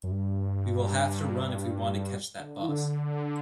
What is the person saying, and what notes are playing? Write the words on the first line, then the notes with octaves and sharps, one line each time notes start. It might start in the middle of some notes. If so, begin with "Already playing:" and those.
We will have to run if we want to catch that bus.
F#2
G2
D3
E3
D3